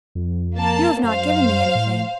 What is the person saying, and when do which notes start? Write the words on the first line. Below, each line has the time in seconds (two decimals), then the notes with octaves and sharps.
"You have not given me anything."
0.15 F2
0.55 A#3 A5
1.03 F#2 C5 F5
1.75 A2